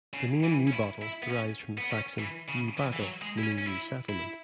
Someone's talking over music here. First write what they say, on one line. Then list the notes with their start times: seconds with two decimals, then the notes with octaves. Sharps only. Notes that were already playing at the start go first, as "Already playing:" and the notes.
The name Newbottle derives from the Saxon 'New Battle' meaning 'new settlement'.
0.13 C#3
0.43 E3
0.67 C#4
0.72 E4
1.02 E4
1.22 B3
1.30 C#4
1.78 B3
1.90 C#4
2.18 E3
2.48 C#3
2.78 E3
2.93 E3
3.00 F#3
3.22 G#3
3.38 E4
3.43 C#4
3.58 C#4
3.66 E4
4.09 E4